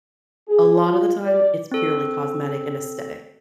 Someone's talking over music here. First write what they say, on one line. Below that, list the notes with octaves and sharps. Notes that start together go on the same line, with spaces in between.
a lotta the time it's purely cosmetic and aesthetic.
G#4
F4
D5
C4 A4